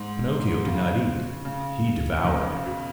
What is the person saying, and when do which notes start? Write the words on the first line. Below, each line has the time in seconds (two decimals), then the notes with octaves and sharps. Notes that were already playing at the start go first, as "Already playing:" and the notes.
Pinocchio did not eat; he devoured.
Already playing: G#2
0.65 C#3
1.45 C#3
2.24 D#3
2.34 C#3
2.55 C#3
2.66 B2